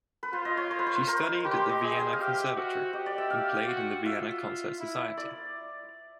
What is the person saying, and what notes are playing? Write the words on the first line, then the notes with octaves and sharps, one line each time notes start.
She studied at the Vienna Conservatory and played in the Vienna Concert Society.
B4
F4 C5
D#5
C#5
C5
B4
C5
A#4
G4 B4
C5
D#5
G#4 D#5
D#5
F5
G4 E5
F#4
G4 D#5
D5
E5
F5
F#4
F4 E5
E4
D5